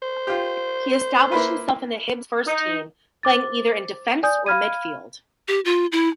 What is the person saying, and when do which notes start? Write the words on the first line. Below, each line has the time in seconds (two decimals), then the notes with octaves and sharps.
He established himself in the Hibs first team, playing either in defence or midfield.
0.02 C5
0.27 F4 G4
1.32 A#3 E4 B4
2.47 D#4
3.23 C5 D6 A6
4.23 D5 G#5 D#6 G6
4.46 F5 B5 F6 G#6 D#7
5.48 G4
5.65 F4
5.92 E4